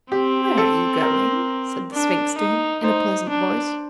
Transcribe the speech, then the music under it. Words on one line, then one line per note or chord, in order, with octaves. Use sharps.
"Where are you going?" said the Sphinx to him, in a pleasant voice.
C4 G4
A4
A#4
D4
D#4
D#4 C5
D4